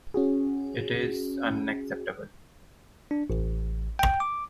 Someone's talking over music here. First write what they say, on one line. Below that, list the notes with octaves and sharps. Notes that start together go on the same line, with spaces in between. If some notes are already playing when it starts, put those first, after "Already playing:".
It is unacceptable.
C#4 F#4 G#4
D4
A1
G5
D6